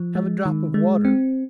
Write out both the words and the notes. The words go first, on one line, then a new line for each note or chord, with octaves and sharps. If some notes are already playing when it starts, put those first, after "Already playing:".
Have a drop of water!
Already playing: F3
G#3
D#3
G#3
C4